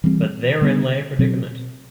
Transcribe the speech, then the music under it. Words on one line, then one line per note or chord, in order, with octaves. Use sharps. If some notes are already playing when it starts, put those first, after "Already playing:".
But therein lay a predicament.
E3 G3 C4
D3 G3 B3 D4
B2 F#3 C4